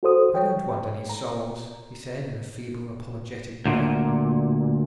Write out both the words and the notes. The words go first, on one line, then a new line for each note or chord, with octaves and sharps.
"I don't want any souls!" he said in a feeble, apologetic way.
F#4 A4 C5 D#6
C#5 G5
A#5
D2 A#2